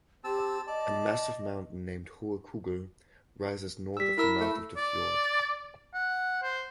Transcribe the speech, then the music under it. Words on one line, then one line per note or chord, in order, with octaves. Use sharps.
A massive mountain named Hohe Kugel rises north of the mouth of the fjord.
C4 G4 A5 E6
D5 D#5 A5
G3 E6 B6
E4 A#4 E6
A3
D5
F#5
C5